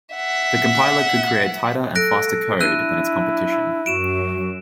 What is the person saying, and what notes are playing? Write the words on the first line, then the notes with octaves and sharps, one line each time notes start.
The compiler could create tighter and faster code than its competition.
E5 F#5
A4 F#6 A#6 D7
D4 E4 E6 F#6 D#7
F#2 F#4 D7 E7